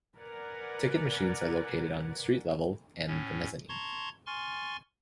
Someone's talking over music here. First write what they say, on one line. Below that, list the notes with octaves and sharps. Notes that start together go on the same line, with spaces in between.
Ticket machines are located on street level and the mezzanine.
A#4 B4 D5 F#5 G#5
A2 C#4
A5 A#5 C6 C#6 G#6
G#5 C6 C#6 F6 A6